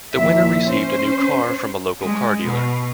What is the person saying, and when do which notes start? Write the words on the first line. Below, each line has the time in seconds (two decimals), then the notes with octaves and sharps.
The winner received a new car from a local car dealer.
0.14 D#2 A#2 F3 E4 E5
0.63 C#4 C5
2.01 G#3
2.45 B2